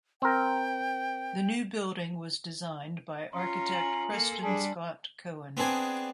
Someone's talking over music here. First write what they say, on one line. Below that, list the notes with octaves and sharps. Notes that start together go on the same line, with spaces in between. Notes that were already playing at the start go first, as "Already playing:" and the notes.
The new building was designed by architect Preston Scott Cohen.
C4 A#4 G5
C#4 F4 A#5 C6
G#5 F#7
A#3 A4
G3 D4 G#4 A5
B3 C4 D4 G#4